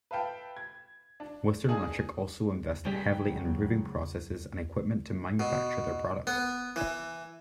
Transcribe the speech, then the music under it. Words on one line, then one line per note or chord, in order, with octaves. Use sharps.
Western Electric also invested heavily in improving processes and equipment to manufacture their products.
B4 E5 F5 G5 A5
G#6
D4
D4 D#4 F4 G#4
G2 C#3 F#3 G3 G#4 G5 B6
B2
B3
E3